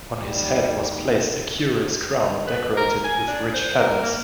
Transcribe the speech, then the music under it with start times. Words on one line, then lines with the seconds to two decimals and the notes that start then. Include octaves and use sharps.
On his head was placed a curious crown decorated with rich feathers.
0.23 D#2 G3
2.22 D#3
2.47 B4
2.77 A#4
3.04 G#5
3.28 D4
3.54 C5
3.80 A#4
4.02 A#3